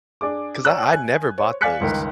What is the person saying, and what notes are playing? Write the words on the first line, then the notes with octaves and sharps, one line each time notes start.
'Cause I I never bought those.
D4 G#4 D6
C#5 D5 A#5 E6 F#6
G#5
C5 C#5
D5 F5 G#5 F#6 B6 C#7
G1 C#2 D#3 A#4